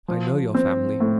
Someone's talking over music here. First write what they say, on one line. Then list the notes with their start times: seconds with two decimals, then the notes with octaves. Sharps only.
I know your family.
0.08 F3
0.55 C4
1.00 A2